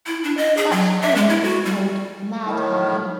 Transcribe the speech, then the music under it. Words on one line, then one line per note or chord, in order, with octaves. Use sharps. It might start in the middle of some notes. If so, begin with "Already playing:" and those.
Such honey is called 'mad honey'.
E4
D4
D#5
G#4
F#3
E5
G#3
E4
F#4
G3
A2 D#3